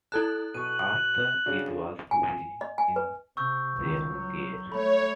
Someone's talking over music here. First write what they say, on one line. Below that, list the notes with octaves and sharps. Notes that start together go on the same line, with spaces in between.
After, it was to be in their care.
E4 A4 A5 F#6 D7
B2 C#6 F#6 D#7
C#3 D4 F#4
G#5
D#5
G#5
B4
C3 C#6 E6 G6
C#2 D#3
F#3
A3 C#5 B5